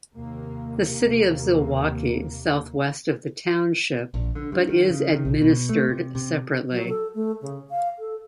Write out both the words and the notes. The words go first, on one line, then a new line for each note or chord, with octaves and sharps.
The city of Zilwaukee is southwest of the township, but is administered separately.
D#2 C3 A#3
A#1
D3
G2
D#3
C#3
D#3
B1
B2
A3
C3
C3
F#3
A4
A3
C#3
F5
A4